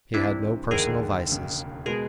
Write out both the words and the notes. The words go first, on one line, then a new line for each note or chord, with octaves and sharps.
He had no personal vices.
C2 C3 E3 D4 E4
F1 D#2 D3 G#4 A#4
E1 D#2 C#3
B2 G#3 B3 G#4 A#4